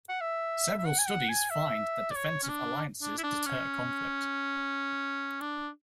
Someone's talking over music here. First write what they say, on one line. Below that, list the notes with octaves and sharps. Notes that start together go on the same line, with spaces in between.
Several studies find that defensive alliances deter conflict.
F#5
E5
E5
F#5
G#5
F#5
G#5
E5
D5
C#5
C#4
D4
D4
E4
D4
C#4
D4